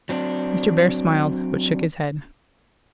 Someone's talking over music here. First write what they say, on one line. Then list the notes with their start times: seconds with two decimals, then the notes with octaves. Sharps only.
Mr. Bhaer smiled, but shook his head.
0.09 F#3 C4 D4